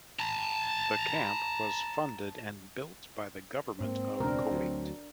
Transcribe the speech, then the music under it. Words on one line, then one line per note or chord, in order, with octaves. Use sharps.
The camp was funded and built by the government of Kuwait.
A5 A#5
G#2 A#3 C4
E1 C#2 B2 D4 A#4
D2 F#3